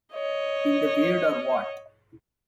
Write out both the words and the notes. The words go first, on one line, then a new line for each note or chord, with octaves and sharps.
In the Weird or What?
C#5 D#5